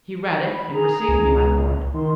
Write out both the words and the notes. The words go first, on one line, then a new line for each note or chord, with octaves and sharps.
"He read it, and received me, my lord."
B5
G#4 A#5
C#2
D#3 C6